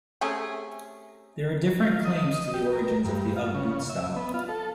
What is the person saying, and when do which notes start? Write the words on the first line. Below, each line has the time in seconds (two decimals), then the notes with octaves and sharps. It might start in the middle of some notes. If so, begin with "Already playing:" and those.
There are different claims to the origins of the ugg boot style.
0.21 C3 A3 C#4 G#4
1.83 F4
2.05 D#5
2.54 G4
2.73 A#4
3.05 G2
3.36 F4
3.55 C#3
3.90 E5
4.16 B3
4.34 F4
4.49 A4